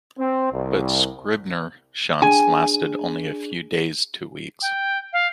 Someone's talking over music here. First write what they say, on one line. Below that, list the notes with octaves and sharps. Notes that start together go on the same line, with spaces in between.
But Scribner shunts lasted only a few days to weeks.
C4
C2
D4 G#4 G#5
G5
F5